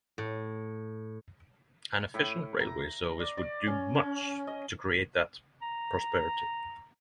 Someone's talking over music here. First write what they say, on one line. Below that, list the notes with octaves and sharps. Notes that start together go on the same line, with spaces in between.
An efficient railway service would do much to create that prosperity.
A2
A2
A#5
D5
D5
C#4
C#4
D#5
A#5